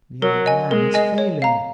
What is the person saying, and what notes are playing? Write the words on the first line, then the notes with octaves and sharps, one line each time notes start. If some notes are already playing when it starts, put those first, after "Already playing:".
"The old man is failing."
F#3 A#4
D#5 G#5
G#3 A#4
D#5 G#5
C#5
F5 A#5